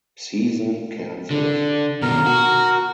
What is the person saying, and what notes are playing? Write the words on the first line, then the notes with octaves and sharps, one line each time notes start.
Season canceled.
D3
B2 D#3 A#4
F#4